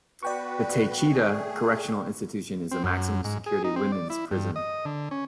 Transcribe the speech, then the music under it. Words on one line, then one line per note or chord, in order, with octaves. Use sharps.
The Taycheedah Correctional Institution is a maximum security women's prison.
B3 F#4 B4 D5 G5 C#6
A3 G#4
C4
F#2
G#2
G#4
D#4
C4
D5
E4
G2
D#5
D3
C#4